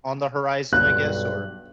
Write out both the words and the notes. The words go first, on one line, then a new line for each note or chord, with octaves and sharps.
on the horizon, I guess? Or
B1 G2 F#6